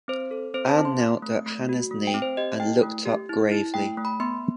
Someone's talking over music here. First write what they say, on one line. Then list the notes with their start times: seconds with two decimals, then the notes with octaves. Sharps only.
Anne knelt at Hana’s knee and looked up gravely.
0.08 C4 C5
0.31 A4
0.54 C4 C5
0.69 A5
0.77 C4
0.85 C6
1.00 C4
1.22 A3
1.46 A3
1.69 F#4
1.91 A3
2.07 G5
2.14 C4
2.22 C5
2.37 G4 D#5
2.60 E4 G5
2.83 A3
3.06 G4
3.29 E4
3.51 E4
3.74 A3 G5
3.97 A3
4.05 B5
4.20 B3 C6